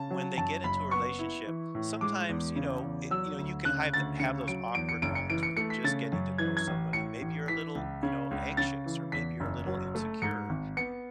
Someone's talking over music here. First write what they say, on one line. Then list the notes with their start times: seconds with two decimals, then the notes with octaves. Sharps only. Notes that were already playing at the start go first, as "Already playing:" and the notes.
when they get into a relationship, sometimes, you know, i you know, you can hive have those awkward moments when you're just getting to know somebody. Maybe you're a little, you know, anxious or maybe you're a little insecure.
Already playing: C#3 A5
0.11 F#3
0.38 F#2 A5
0.64 F#1 B5
0.91 B3 C#6
1.19 E4
1.47 E3
1.75 A2
2.01 G#3 D6
2.29 E2
2.56 C#3
2.83 E2
3.11 F#3 E6
3.38 D2
3.65 C#3 F#6
3.93 D2 A6
4.20 C#3 C#7
4.48 F#3 D7
4.75 E2 D7
4.89 C#7
5.02 F#1 D7
5.15 C#7
5.30 E3 D7
5.43 C#7
5.57 A3 C#7
5.70 B6
5.84 C#3 A6
6.12 F#2
6.38 E3 G#6
6.57 G#6
6.67 A1
6.93 A2 C#7
7.21 A1
7.48 E3 B6
7.75 C#2
8.03 C#3
8.31 C#2
8.57 C#3 A6
8.86 E3
9.12 E2 B6
9.40 F#1
9.67 F#3
9.95 A3
10.22 G#2 C#7
10.49 G#1
10.77 B3 C#7